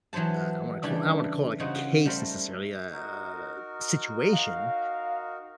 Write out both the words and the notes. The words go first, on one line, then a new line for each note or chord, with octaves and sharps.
uh, I don't wanna call I don't wanna call it, like, a case necessarily a situation,
E3 F#3 B3 C5 A5
C#3 E3 G3 D4
C#3 D#4 F#4 C5
G3 A3 A#4 C5
D#4 F#4 A#4
F5